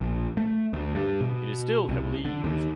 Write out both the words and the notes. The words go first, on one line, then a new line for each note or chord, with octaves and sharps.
It is still heavily used.
A#1
A3
D2
G2
B2
C2
D3
D#2